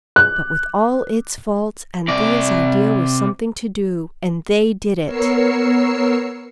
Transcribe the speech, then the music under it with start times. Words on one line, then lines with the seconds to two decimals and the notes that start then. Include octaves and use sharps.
But with all its faults Anthea's idea was something to do, and they did it.
0.16 F#6
2.08 C3 D5
5.04 B3 A#4 C#5 E6 C7 C#7